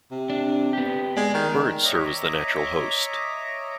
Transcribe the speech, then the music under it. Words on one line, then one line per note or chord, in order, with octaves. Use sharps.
Birds serve as the natural host.
C3
D4
B3 G4
G#3 D5
D#3
C#5 D#5 E5 A#5 D6